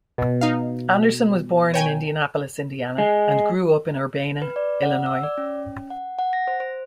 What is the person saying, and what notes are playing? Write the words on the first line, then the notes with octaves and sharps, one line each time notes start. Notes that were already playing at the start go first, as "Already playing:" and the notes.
Anderson was born in Indianapolis, Indiana and grew up in Urbana, Illinois.
B2
D#4 F5
C#5 G5 G#5
G#3
B4
D5
F#5
E6
D5
C#4
F#5
F#5
A#6
C5
C5